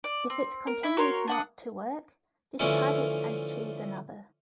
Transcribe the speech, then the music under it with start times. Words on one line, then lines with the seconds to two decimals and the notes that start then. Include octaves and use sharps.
If it continues not to work, discard it and choose another.
0.04 D5
0.30 C4
0.67 A#4
0.83 E4 E5
0.97 F#4 A#4 C#5 C6
1.28 D4 F#5 D#6
2.59 D3 E3 F3 A3 C#4 E4